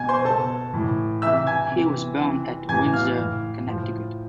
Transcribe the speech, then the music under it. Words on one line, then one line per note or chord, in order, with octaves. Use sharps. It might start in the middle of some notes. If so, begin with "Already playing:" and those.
He was born at Windsor, Connecticut.
Already playing: B2 G#5 G#6
C5 C6
B2 A4 A5
A2 E3
C3 E3 E5 E6
G#5 G#6
C3 E3
C3 E3
A2 E3 G#5 G#6
F5 F6
A2 E3
A2 F3